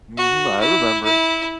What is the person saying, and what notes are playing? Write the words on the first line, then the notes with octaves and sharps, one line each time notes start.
Mhm, I remember.
F#4
E4
E4